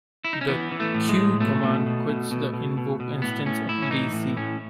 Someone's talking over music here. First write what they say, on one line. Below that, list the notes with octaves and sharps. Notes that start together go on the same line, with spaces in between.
The 'q' command quits the invoked instance of dc.
E4
D#4
C#4
E3 B3
E3
A3
A2
G#3
A2
B2 A3
B2
B2
B2
B2
B2
B2
B2
A2 B3
A2 C#4
A2 E4
C#4
E3 D#4
A2
A2 C#4